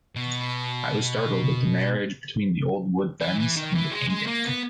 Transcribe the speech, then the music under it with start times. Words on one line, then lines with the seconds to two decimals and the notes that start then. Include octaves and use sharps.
I was startled at the marriage between the old wood fence and the painting.
0.16 B2
3.21 E3
3.39 E3
3.56 D#3
3.74 E3
3.91 G#3
4.09 G#3
4.27 A#3
4.45 B3